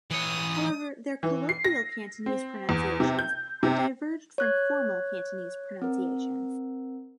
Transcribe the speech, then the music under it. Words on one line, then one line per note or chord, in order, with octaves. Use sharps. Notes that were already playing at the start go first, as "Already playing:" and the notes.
However, their colloquial Cantonese pronunciations have diverged from formal Cantonese pronunciations.
E3 C#5 D#6
E3
C7
A#6
C4
E2
C3
G6
C3
C#5 F#6 G#6
C4 A#4